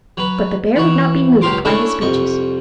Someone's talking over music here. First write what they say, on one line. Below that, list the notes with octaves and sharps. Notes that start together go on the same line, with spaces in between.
But the bear would not be moved by his speeches.
F#3 B4
E3 F#4
C#2 F#3 G4 A#4 C6 D6
A3 C#4 D4 E4 F#4
C2 F2 D#5 C#6